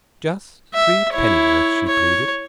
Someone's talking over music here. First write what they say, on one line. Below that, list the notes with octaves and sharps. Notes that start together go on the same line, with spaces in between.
"Just threepennyworth," she pleaded.
E5
E4 C#5
C#5